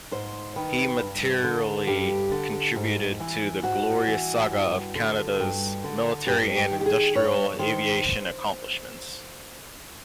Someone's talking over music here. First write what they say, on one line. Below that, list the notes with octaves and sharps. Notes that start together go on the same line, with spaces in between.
He materially contributed to the glorious saga of Canada's military and industrial aviation accomplishments.
G#2 C5
D#3 B4
G2
D3
G2 G4
D3
G#2
E3
G#2 F#4
E3
G2
D3
G2
D3
G2 G4
G4
D#3
G4
G#4
G2 C#5
D#3 C5